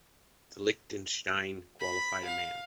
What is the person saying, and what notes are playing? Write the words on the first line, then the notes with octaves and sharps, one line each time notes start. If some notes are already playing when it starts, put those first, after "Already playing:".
The Liechtenstein qualified a man.
B5
F5